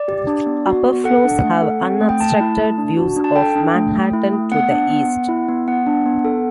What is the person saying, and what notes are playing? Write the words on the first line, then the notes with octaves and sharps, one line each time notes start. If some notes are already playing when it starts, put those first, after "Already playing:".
Upper floors have unobstructed views of Manhattan to the east.
Already playing: D5
G4
D4
B3
F#4
B3
A4 F#5
D4
A3
A4
C4
A3
G5
A3 A5
E4
A3
D4
F#4
D4
A5
A4 G5
D4
A3
A3
E4
A3
B3 F#5
D4
B3
B3
E4
B3
B3 F#5
D4
B3
A4